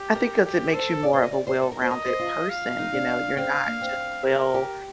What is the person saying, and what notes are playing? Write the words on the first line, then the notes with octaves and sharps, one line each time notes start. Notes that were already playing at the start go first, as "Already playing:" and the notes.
I think 'cause it makes you more of a well-rounded person, you know? You're not just well
Already playing: G4
A#4
G4
A4 C5
D5
C5
D#5
D5
C5
A4
A#4
C5
A#4 D#5
C5
F4
F5
D#4
D4
C4 F5
A#3
C4
A#4
G4